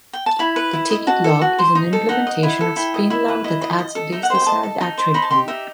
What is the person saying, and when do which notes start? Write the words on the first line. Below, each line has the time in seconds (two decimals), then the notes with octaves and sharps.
The ticket lock is an implementation of spinlock that adds this desired attribute.
0.13 G5
0.26 A5
0.39 E4 B5
0.56 B4
0.73 E4
0.91 D#5
1.07 F#4 A5
1.24 A4
1.41 F#4
1.59 C5
1.75 D#4
1.93 A4
2.09 D#4 F#5
2.27 D#5
2.43 E4
2.61 A4
2.76 E4 G5
2.94 D#5
3.10 E4 E5
3.28 B4
3.44 E4 D#5
3.62 D#5
3.78 D#5
3.95 A4
4.12 D#4 E5
4.23 F#5
4.30 C5 G5
4.42 G5
4.46 D#5 A5
4.63 A4
4.81 D#4
4.98 C5
5.14 D#4 B5
5.22 A5
5.31 G4 C6
5.48 D#4 E5